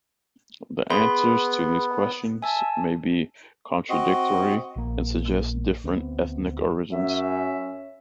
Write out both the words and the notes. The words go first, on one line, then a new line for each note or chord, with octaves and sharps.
The answers to these questions may be contradictory and suggest different ethnic origins.
B3 G#4 B5 C6
E5 G#5 A5
C4 F#4 D#5
A#1 A#3
D2 B3 C4
F#2 C#4 E5